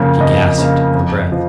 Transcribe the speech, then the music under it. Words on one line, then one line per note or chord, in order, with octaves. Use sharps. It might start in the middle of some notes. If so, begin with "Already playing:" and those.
She gasped for breath.
Already playing: F2 C#3 A#3
F2 D#5
C#3 A#3
F2
F3